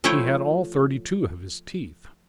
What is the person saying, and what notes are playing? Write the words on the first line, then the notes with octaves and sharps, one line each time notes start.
He had all thirty-two of his teeth.
F3 A3 E4 F4 C#5 G5